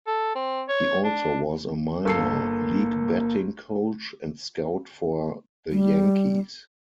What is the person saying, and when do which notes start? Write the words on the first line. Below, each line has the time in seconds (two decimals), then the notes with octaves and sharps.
He also was a minor league batting coach and scout for the Yankees.
0.07 A4
0.35 C4
0.69 C#5
1.04 D4
2.05 G1 A#3 A4 C7
5.72 G3